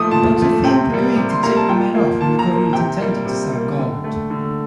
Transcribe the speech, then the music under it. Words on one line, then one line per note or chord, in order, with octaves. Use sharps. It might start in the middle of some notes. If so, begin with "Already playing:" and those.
Butterfield agreed to tip the men off when the government intended to sell gold.
Already playing: A#2 F3 A3 D6 D#6
A#2 A5
F3 A3
C3 G5
G3 A#3
C3
C6
G3 A#3 A#5
A5
A#2 G5
F3 A#3
A#2 A5
A#5
F3 A#3
C3 G5
G3 A#3
C3
G3 A#3
D3
A3
D3